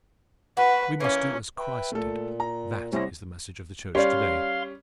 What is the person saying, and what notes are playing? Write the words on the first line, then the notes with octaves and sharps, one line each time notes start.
We must do as Christ did; that is the message of the Church today.
F#4 B4
E3 A#3 C#4
B4 E5 G5
A#2 A3 A4
A#5
C2 E4 C5 C#5 A#6
G3 C#4 A#4 D5 F5 C6